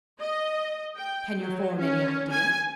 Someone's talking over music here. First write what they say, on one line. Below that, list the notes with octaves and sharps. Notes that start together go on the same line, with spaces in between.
Can you form any idea?
D#5
G5
F#3
C#4
G#5